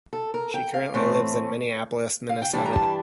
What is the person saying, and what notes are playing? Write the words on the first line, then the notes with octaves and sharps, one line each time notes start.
She currently lives in Minneapolis, Minnesota.
A4
A#4
G5
F5
A2 E3 A3 C4
F5
G5
G2 E3 G3 D4 A5
A#5
A5